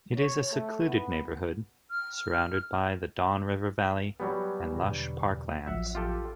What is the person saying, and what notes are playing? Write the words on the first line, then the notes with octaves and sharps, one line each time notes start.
It is a secluded neighbourhood, surrounded by the Don River Valley and lush parklands.
C#5
A3
B3
F6
F#3 G3 B3 G4 G5 G#5
E2 B2 D3
A1 F3 F#3 E5 F#5
F4 G4 A4